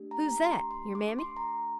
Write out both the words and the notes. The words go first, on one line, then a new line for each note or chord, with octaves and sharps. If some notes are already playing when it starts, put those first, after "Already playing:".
"Who's that--your Mammy?"
Already playing: A3 D4 G4
A#5
A#5
C6
C6
D6
C6
A#5